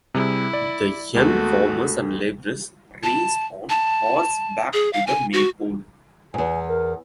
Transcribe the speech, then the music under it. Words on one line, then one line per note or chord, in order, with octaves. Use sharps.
The young farmers and laborers raced on horseback to the maypole.
C3 G3 E4 G#4
D5
D#2 G#3 A3 B3 F#4
A5
A5
G#4
F5
G#5
F#4
E2 G#2 G#5
A#4